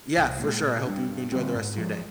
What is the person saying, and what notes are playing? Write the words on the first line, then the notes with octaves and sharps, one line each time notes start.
Yeah, for sure. I hope you enjoy the rest of your day.
C2
A#2 G#3
A#2
G3 D4
G2
D3 G3 C4
G#2
F3 G#3